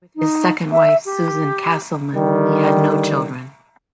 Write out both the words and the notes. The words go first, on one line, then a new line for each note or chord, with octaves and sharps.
With his second wife, Susan Casselman, he had no children.
D#4
E5
G4
D3 D#3 G3